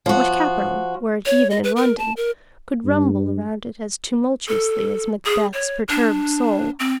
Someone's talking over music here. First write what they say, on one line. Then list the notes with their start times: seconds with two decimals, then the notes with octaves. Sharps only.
What capital, were it even in London, could rumble around it as tumultuously as Macbeth's perturbed soul?
0.06 F3 F#4
1.26 C#5
1.50 D#5
1.64 B4
1.76 A#4
1.98 A5
2.17 A#4
2.86 G2
4.48 A4
5.26 G#4
5.53 C#5
5.89 D4
6.80 C4